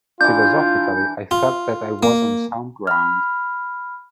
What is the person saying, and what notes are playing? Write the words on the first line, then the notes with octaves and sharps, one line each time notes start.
Philosophically I felt that I was on sound ground.
E3 D4 F4 G6
F4
A#3
B5 F6